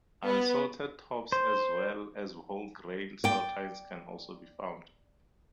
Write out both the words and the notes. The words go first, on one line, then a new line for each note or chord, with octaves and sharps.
Unsalted tops as well as whole grain saltines can also be found.
B3
C5
D5 G5